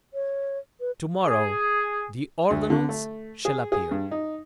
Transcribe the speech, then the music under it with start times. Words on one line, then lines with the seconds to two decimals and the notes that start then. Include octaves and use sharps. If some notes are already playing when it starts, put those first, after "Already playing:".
"To-morrow the ordonnance shall appear."
0.14 C#5
0.80 B4
1.25 G#4
2.50 D2
2.70 D3
2.89 A3
3.45 G#4
3.72 G#4
3.91 G2
4.11 D#4